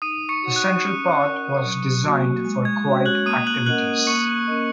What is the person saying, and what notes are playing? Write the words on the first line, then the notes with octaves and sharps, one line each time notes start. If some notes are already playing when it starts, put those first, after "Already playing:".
The central part was designed for quiet activities.
D#4 D#6 D#7
C#6 C#7
F#4 C#5 F#5
F#6
C#4
A#4 D#5 F#5
F#3
A#3 F#4
G#3
G#6
C#4 F#4 C#5
F#6 F#7
A#3 D#6 D#7
F#6 F#7
C#4 A#4 D#5 F#5 F#6 F#7
A#3 C#6 C#7
C#4 A#4 D#5